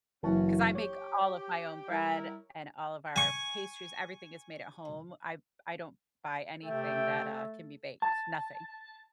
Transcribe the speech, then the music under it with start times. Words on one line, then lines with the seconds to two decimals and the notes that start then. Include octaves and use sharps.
'cause I make all of my own bread and all of our pastries- everything is made at home. I I don't buy anything that, uh, can be baked, nothing,
0.23 F#1 E3 C#4 F#4 A5
0.75 G4 C#5
1.89 G3 E4 A#4
3.16 G#5 C#6
6.66 C3 A3 E5 G5
8.02 A5